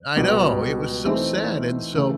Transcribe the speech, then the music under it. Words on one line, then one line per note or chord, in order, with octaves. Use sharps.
I know, it was so sad, and so,
C#2 B2 G3
E3 A3 C4 D#4
C#3 E3 A3 C#4 E4